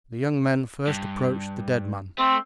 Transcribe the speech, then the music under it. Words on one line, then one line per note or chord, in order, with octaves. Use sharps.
The young men first approached the dead man.
G2
A3 C4